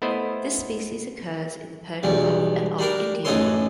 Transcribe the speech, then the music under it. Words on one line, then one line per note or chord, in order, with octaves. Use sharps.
This species occurs in the Persian Gulf and off India.
A3 B3 E4 C5 D#5
B1 E2 G3
G3 D4 A#4
A1 F#2 D#4 A4 C#5 C6